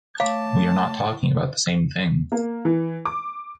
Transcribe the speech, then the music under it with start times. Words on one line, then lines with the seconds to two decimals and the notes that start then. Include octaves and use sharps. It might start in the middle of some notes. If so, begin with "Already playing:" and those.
We are not talking about the same thing.
0.20 A3 C#5 F5 A5 D6
2.32 A#3
2.65 E3
3.05 D6